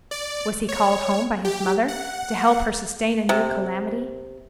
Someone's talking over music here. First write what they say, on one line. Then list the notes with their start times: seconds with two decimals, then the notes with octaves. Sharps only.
Was he called home by his mother to help her sustain a new calamity?
0.11 D5
0.69 C#5
1.45 G4
1.88 F#5
3.29 C3